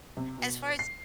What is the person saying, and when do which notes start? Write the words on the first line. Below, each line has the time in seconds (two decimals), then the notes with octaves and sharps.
as far as
0.17 C3
0.38 B2
0.79 C7